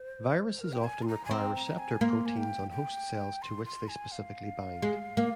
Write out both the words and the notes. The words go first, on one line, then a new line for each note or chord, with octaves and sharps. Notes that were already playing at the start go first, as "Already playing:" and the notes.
Viruses often require receptor proteins on host cells to which they specifically bind.
Already playing: C5
A#4
G5
G#5
C6
A#5
G#5
C4 A#5
A#5
G#5
A#3 C6
G#5
G5
G5
C6
C6
G#5
F5
G#3
A#3